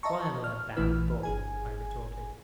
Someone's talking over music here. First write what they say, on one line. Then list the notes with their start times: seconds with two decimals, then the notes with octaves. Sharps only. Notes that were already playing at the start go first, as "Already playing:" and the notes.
"Why am I a bad boy?" I retorted.
0.03 D#5 E5 A5 A#5 C#6
0.44 F6
0.76 A#1 E3 A3 E4 B4 F6
1.23 G1 G#4 G#5